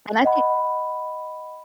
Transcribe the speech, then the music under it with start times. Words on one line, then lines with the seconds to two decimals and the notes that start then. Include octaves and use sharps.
And I think
0.24 D#5 F#5 B5